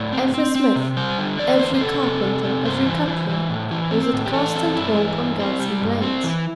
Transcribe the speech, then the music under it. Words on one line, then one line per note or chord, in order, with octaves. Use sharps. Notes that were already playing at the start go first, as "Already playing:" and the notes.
Every smith, every carpenter, every cutler, was at constant work on guns and blades.
Already playing: A2 D5
C4
C4
C4
C3
G3 C5
D3
E2 D5
D3 C5
C5
C3 A4
C3
C3
C3
G2 C5
E3
E3
E3
A2
E3
C4
A2
G4
E3 A4
C4
G2 E4
E3
G2
C4
G3
G2
C4
E3